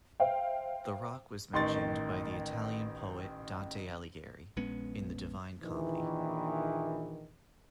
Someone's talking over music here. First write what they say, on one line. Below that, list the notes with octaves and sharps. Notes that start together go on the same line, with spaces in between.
The rock was mentioned by the Italian poet Dante Alighieri in the "Divine Comedy".
C5 E5 F5 G5
A1 D#3 C6 C#6 A6
A#1 G#3 B3 C#4
A#1 D#3 E3